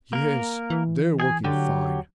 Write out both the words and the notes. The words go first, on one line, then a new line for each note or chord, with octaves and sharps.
Yes, they're working fine.
A#3 A#4
E3
G#4 G#5
D3 F#3 G4